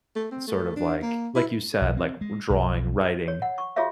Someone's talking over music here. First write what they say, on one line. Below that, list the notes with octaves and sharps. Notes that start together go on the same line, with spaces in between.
sort of like like you said, like w drawing, writing,
A3
C4
A3
D4
A#3
E4
B1
C4
G#3
B1
C#5
F#5
C#6
F4 F#4 G#4 C#5 E5 F5